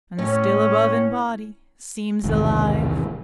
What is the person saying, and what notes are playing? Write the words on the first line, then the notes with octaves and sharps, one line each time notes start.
And still above in body seems alive!
A2 C#4
E1 C2 G#2 D#3